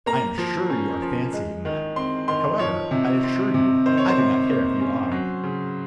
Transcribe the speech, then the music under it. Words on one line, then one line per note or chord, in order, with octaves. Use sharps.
I am sure you are fancying that ... However, I assure you I do not care if you are....
A#3 A#5
F3
C#4
F3
G#3
D#3
C4 C6
D#3 C6
F3 C#5
C3
C4
C3
D#3 C5
C#5
C5
C3
A#3
C#4
F#3
C#3